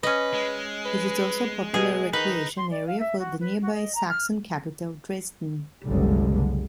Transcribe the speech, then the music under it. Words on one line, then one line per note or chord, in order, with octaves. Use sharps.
It is also a popular recreation area for the nearby Saxon capital Dresden.
C#4 B4 D#5
G#3
B4
B2 G#4
D#3 D#4 B4
C6
D5
F5
E5
F#4
B4
F#4
D#5
A#5
F6
F#1 C2 F#2 D3 G3 G#3